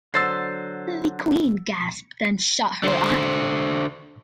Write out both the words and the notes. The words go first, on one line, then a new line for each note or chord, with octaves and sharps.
The Queen gasped and shut her eyes.
D3 F#3 C5 E6 A6 C7
D3 C5